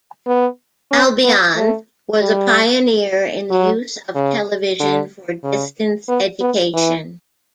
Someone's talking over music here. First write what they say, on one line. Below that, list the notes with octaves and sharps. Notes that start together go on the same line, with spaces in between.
Albion was a pioneer in the use of television for distance education.
B3
C#4
B3
A3
G3
F#3
C#3
D3
C#3
B3
B3
E3